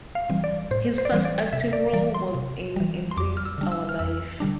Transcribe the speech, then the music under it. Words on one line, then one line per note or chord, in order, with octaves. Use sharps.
His first acting role was in "In This Our Life".
F5
E3 G3 C4
D5
A2 C5
C5
D5
E3 G3 C4 C5
D5
C3 E5
D5
E3 G3 D5
C6
C3
E3 G3
C6
F2 D6
F6
E6
D3 G3 D4
E6
F6
F2 E6
D3 G3 D4